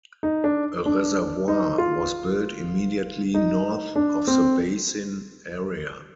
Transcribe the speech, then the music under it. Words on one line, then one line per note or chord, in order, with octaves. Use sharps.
A reservoir was built immediately north of the basin area.
D#4
D4
D4
D#4
F4
D#4
D4
C4